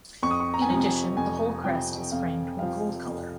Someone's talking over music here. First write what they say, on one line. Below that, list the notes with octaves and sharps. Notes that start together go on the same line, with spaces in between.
In addition, the whole crest is framed with gold color.
F2 C#6
D#6
C#6
A#5
G#5
C3 F3 A#5
G#5
F2 G#5
C3 F3 G5
F2 F5
C3 F3 F5
F2